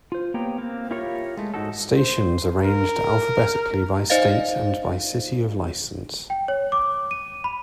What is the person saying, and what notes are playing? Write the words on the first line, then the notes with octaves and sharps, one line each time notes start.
Stations arranged alphabetically by state and by city of license.
F4 C5
A#3 B3 G4 C#5 G5 A#5
A#3 C4
E4 F4 G4 A#4 C#5
G#3 A3
G#2 D#4 F#4 A4
C5
A#4
D#4 C5 D5 D#5 F5 A6
G5
C#5
D6
D#7
B5